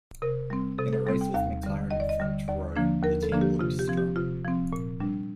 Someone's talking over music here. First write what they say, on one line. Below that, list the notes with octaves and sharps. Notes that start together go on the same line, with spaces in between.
In a race with a McLaren front row, the team looked strong.
C3 A#4
G3 C4
C3 A4
A4
G3 C4 A4
G5
D#2 F5
D3 G3
D#2 D#5
D5
D#5
D3 G3
D#2 D5
D3 F3 A#3 D4
D#2 A#4
A4
D3 F3 A#3 D4
G4
C3 F4
G4
F3 C4
G4
C3 F4
F3 C4
A#2
G3 D4